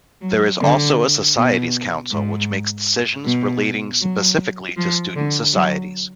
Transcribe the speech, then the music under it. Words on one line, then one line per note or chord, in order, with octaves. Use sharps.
There is also a Societies Council which makes decisions relating specifically to student societies.
F#3
D3
B2
G#2
B2
F#3
F3
D3
F#3